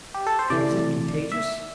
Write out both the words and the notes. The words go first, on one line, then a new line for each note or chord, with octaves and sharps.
"And is it contagious?"
G4
A4
C5
C3 E3 A3 D5
E5